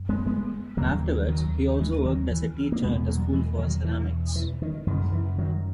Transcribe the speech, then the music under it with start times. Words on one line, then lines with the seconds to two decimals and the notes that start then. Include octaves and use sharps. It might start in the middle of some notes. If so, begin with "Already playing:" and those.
Afterwards, he also worked as a teacher at a school for ceramics.
Already playing: F#2
0.09 G#3 B3
0.26 G#3 B3
0.77 D#2 C#3 F#3 A#3
1.28 D#3 F#3
1.80 E3 G#3
2.05 D#3 F#3
2.31 E3
2.72 A#3
2.82 E2 B2 G#3 B3
3.08 F#3 A#3
3.33 E3 G#3
3.59 D#3 F#3
3.84 E3
4.36 E3
4.62 D#3
4.87 F#2 D#3
4.90 C#3
5.12 E3
5.38 D#3 F#3